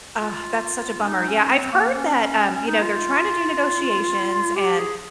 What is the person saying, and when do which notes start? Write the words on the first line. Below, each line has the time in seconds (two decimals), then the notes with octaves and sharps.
Ugh, that's such a bummer. Yeah, I've heard that, um, you know, they're trying to do negotiations, and
0.19 F4
1.01 C#4
1.07 D#4
1.28 C#4
1.50 C4
1.72 A#3
1.94 C#4
2.54 C#4
2.68 D#4
2.82 F4
4.56 G4
4.78 G#4